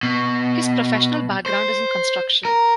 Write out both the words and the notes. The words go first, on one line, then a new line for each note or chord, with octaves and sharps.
His professional background is in construction.
B2
C5
A#4